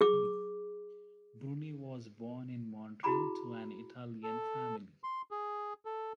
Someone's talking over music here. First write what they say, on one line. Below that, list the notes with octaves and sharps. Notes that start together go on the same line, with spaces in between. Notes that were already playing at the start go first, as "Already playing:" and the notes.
Bruni was born in Montreal to an Italian family.
G#4 D6
E4 F#4 G#4 A#5 B5 D6
A4
C6
G#4
A4